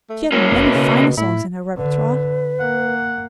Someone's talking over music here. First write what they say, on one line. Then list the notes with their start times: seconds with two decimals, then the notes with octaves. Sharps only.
She had many finer songs in her repertoire.
0.10 A3
0.32 F#3 A#3 C#4
0.52 F1 B2
0.75 C#3
1.17 A2 E4
1.77 D3 B4
2.60 A#3 F#5